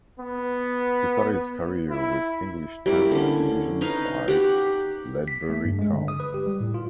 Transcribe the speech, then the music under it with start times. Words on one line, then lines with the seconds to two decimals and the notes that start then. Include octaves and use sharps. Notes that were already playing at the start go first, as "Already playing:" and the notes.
He started his career with English tenth division side Ledbury Town.
0.19 B3
1.90 E4
2.86 G3 A#3 E4
3.11 D3 C#4
3.81 D#4 B4 C#5 F5
4.28 G4 F#5 B5
5.28 B6
5.49 A3
5.65 G2
5.79 G#3
5.93 D3
6.08 D#6
6.20 B4
6.34 G4
6.46 G3
6.61 A2
6.74 F4